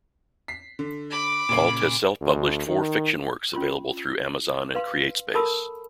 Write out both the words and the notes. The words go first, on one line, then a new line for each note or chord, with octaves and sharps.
Ault has self-published four fiction works available through Amazon and CreateSpace.
B6 C7
D3
B5 D6
A#2 C#3 C7
D2
D#3
C#4 F4 C6
B4 F5 C6
A4 A#4 A5 B5 C6 E6